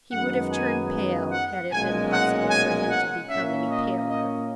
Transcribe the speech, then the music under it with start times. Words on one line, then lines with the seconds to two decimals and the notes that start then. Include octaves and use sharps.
He would have turned pale, had it been possible for him to become any paler.
0.12 F#2 D#3 G#3 B3 D#4 F#5
0.52 G#5
1.31 F#5
1.70 B1 A#2 G#3 C#4 G#5
2.11 F#5
2.50 G#5
2.90 F#5
3.29 A#2 A#3 C#4 E5
3.69 D#5
4.09 D#5